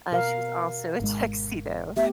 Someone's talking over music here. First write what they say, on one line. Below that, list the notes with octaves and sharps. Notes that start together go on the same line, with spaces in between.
uh, she was also a tuxedo.
B2 A#4 F5
G#1 G#2 G#3
A3 B3 G4 E5